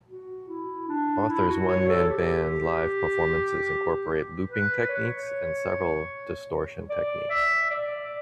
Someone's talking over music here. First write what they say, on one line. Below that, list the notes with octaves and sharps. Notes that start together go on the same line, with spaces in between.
Arthur's one man band live performances incorporate looping techniques and several distortion techniques.
F#4
E4
D4
E4
F#4
C#5
A4
G4
B4
C#5
D5
E5
D5